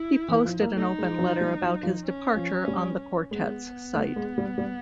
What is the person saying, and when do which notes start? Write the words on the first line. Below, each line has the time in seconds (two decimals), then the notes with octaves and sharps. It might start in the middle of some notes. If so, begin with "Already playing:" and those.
He posted an open letter about his departure on the quartet's site.
Already playing: E4
0.28 E3
0.45 F3
0.61 A#3
0.76 A3 D#4
0.98 G#3
1.19 F#3
1.41 G3
1.62 F#3
1.83 F3
2.04 C#4
2.36 F3
2.68 G3
3.31 G#3 B3
3.94 A3
4.16 G#3
4.38 G3
4.58 G3